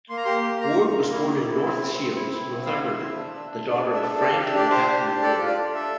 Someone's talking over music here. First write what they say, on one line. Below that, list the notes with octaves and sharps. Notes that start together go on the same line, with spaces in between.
Ward was born in North Shields, Northumberland, the daughter of Frank and Cathy Ward.
A#3 C6
A#5
G4 C6
A#3
A#3 A#5
A#3
A#3
E4
E4
E4
C4
C4
C4
E4
E4
C4
E4 F5
E4 F5
E5
C4
D4
D4
D4
D4 D5
D4
E5
A4
G4 D5
F5
D4
E5
G4 D5
G4 C5
D4
G4
A4 D5
F4
D5
D4
A4 E5